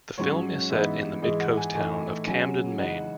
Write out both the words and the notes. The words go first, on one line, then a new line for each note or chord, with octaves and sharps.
The film is set in the Mid-Coast town of Camden, Maine.
G#2 F#3 C#4 C#5
G#2 E3 B3 D#4 E5
G#2 E3 G#3 D#5
F#5
G#5
A2 E3 A3 D#4 G#5
C#3 F#3 C#4 G#5
C#3 E3 G#3 D#4 F#5